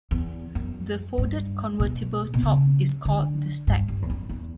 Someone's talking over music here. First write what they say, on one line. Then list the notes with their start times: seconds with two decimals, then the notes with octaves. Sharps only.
The folded convertible top is called the stack.
0.11 E2
0.55 F#2
1.18 G2
1.80 B2
2.34 B2
2.43 C#3
3.05 D3
3.67 G2
3.88 G2
4.02 E2
4.10 F#2
4.29 E2